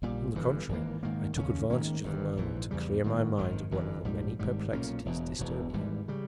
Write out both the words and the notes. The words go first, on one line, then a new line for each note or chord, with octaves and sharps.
On the contrary, I took advantage of the moment to clear my mind of one of the many perplexities disturbing it.
A#1 A#2 G3
G1 G2 E3
G#1 G2 E3 A#3
G#2 D#3 A#3
D#2 C#3 G#3 C#4
G#2 D#3 A#3 C#4
G1 G2 D#3
A#1 G#2 E3
E2 C#3 G3
G#2 D#3 A#3
G#1 G#2 D#3
G1 G2 E3
A#1 G#2 G3
G#1 G#2 G3
B1 A#2 A#3 C#4
E1 E2 B2
E1 E2 B2
G#1 G#2 E3 G3
C#3 G3